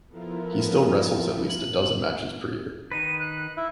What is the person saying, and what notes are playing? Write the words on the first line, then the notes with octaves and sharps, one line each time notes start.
He still wrestles at least a dozen matches per year.
F3 B3 E4 F4 A4 A#4
F#7
D#3 D#4 B4 D#7
F#6
E4